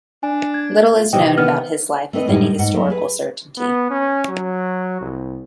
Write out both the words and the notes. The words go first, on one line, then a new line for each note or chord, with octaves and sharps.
Little is known about his life with any historical certainty.
D4 G#5
G#6
F4
C3 D#3 E3 D#5 G5
D#3 B3 F6
A3 C4 B4 C5 D#5
F#2 A2 C#3 G3 G#3
G#2 F#5
F#3 G#3 A3
G#4 B4
B3
C#4
F#3
C2